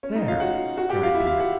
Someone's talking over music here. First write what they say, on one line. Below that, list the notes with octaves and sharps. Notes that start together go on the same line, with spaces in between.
"There!" cried Peter.
C#4 C#5
D#4 D#5
F4 F5
F#4 F#5
F#4 F#5
G4 G5
F4 F5
E4 E5
F4 F5
F#4 F#5